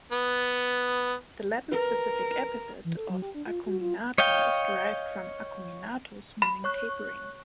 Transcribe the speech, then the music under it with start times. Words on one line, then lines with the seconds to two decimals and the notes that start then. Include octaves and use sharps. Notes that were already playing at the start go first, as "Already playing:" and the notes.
The Latin specific epithet of "acuminata" is derived from "acuminatus" meaning tapering.
0.12 B3
1.71 A#4 B4
2.85 E3
2.97 A4
3.10 F#3
3.22 G4
3.34 D4
3.46 F4
3.66 F#4
3.81 F4
4.18 C#5 D#5 F5 G5
6.42 B5
6.64 C#5 C#6 F#6